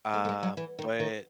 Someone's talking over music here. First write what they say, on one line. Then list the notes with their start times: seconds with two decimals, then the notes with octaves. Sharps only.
uh, but
0.14 A3
0.25 A3
0.29 G#3
0.43 F#3
0.57 E3
0.79 D#3
1.00 D#3